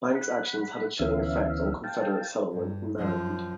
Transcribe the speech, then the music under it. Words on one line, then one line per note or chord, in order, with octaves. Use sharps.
Banks's actions had a chilling effect on Confederate sentiment in Maryland.
F#5 B5
D2 E3 B3 C#4 E5 F5
F5 G5 A5
G2
F#2 F3